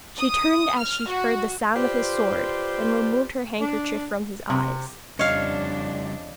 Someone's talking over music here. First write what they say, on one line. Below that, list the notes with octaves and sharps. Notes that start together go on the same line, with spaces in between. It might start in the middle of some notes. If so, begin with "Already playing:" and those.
She turned as she heard the sound of his sword, and removed her handkerchief from his eyes.
D#6
F6
F#4
F4 G4 B4 C5 D5
D4
C3
F2 C#3 G3 D4 C#5 D#5 F5